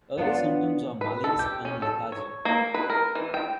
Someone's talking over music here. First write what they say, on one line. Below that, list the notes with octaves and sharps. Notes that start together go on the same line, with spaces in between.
Early symptoms are malaise and lethargy.
B3 D4 F4
B4
A4
G4
C#4
A4
C#5
A#3
B4
A#4
E3
G5